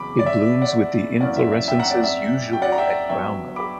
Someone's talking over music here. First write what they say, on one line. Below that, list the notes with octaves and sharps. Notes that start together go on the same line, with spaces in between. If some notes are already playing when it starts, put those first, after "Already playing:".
It blooms with the inflorescences usually at ground level.
Already playing: E2 C#3 F#3 B5 D6
D5
E5
D5 F#5
F#2 E3 A#3 C#4 D5 F#5
E5
E5
E5 G5
F#5 A#5
D5
E5
G5
D5 F#5
A#5
E5 G5
G2 F#3 B3 E5 G5
B5 D6